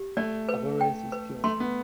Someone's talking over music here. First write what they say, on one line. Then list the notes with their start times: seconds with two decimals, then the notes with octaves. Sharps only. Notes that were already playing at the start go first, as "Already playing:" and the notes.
Alvarez is killed.
Already playing: G4
0.17 A3 D5
0.49 B4
0.81 G5
1.12 B4
1.44 A3 C6
1.60 B3